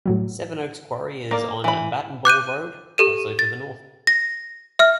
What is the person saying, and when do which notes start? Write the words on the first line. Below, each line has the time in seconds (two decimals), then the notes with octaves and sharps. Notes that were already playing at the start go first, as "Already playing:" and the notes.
Sevenoaks Quarry is on Bat and Ball Road, also to the north.
0.06 A2 F#3 G3
1.31 A#3 A#4 D5
1.64 E3 B5
2.25 D6 F#6 G6 D#7
2.98 G4 A4 D#7
3.39 A6
4.07 A#6
4.79 E5 F6